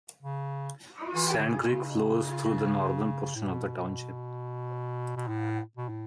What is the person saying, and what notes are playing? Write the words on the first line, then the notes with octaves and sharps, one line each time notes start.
Sand Creek flows through the northern portion of the township.
C#3
E3
D3
C#3
B2
C#3
A2
B2
B2
A2
B2
A2